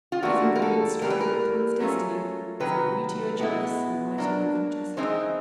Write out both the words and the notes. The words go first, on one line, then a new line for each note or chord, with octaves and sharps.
'Tis in vain struggling with one's destiny--so you to your Jewess, and I to my little Jessica.
F4
E3 G3 A#3 D4 F4 F#4
A#4
A4
E3 G3 A#3 A#4
B4
A#4
F#3 A3 C#4 F4
C3 D#3 F#3 B4
B2 G#3 B3 E4
F#3 A#3 D4
E3 G#3 C4 D#4 C5